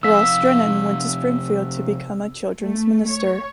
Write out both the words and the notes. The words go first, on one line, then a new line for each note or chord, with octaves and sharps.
Ross Drennan went to Springfield to become a children's minister.
C3 F3 F5 E6 B6
A3
C#5